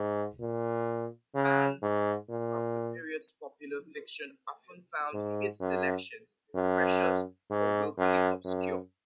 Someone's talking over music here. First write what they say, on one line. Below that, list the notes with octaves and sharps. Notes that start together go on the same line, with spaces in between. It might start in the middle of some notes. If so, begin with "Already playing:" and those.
Fans of the period's popular fiction often found his selections precious or willfully obscure.
Already playing: G#2
A#2
C#3
G#2
A#2
G#2
F#2
F#2
G#2
F#2
F#2